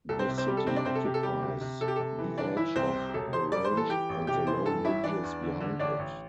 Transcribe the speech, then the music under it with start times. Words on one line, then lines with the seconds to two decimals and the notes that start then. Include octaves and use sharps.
The city occupies the edge of the range and the low ridges behind it.
0.09 C2 A4
0.19 C4 C5
0.29 C3
0.38 C4 C5
0.48 G3 G4
0.57 A4
0.67 C3 C4 C5
0.76 D4 D5
0.85 C3 C4 C5
0.95 A4
1.05 C3 G4
1.14 A4
1.23 G3 G4
1.42 D2
1.61 C3
1.81 C3 A4
1.88 G4
1.96 C3 A4
2.19 E3
2.38 G1 D4 D5
2.57 E3 E4 E5
2.76 C2 C4 C5
2.95 C3
3.14 E1 A4
3.33 E1 C5 C6
3.52 G3 D5 D6
3.65 C5 C6
3.71 E3
3.77 A4 A5
3.89 E3 G4 G5
4.09 A1
4.27 C3 G4 G5
4.47 E3 C5 C6
4.66 G2 A4 A5
4.85 A1 E4 E5
5.04 E3 D4 D5
5.23 E2
5.43 D3
5.61 D3
5.79 A1 D4 D5
5.99 A1